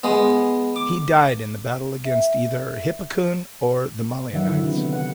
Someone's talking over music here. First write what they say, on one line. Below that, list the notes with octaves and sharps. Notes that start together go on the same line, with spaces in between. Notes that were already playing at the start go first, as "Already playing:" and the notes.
He died in the battle against either Hippocoon or the Molionides.
G#3 B3
D6
E5
D#3 E3 F#3 E5 F#5
D3 E4
C3
B3
F#5